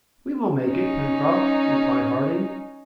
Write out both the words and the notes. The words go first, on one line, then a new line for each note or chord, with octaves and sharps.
"We will make it, Pencroft," replied Harding.
C#4 D#4